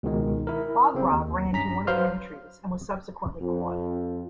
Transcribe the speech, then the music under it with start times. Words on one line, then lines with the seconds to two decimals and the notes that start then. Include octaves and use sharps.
Bogrov ran to one of the entries and was subsequently caught.
0.03 C#2 B2 D#3 G#3
0.47 E4 A#4
0.95 C#3 C4
1.11 D#2
1.52 G2 C#4 A#5 B6
1.87 F#3 B4 C5 F5 C6 F6
3.41 F2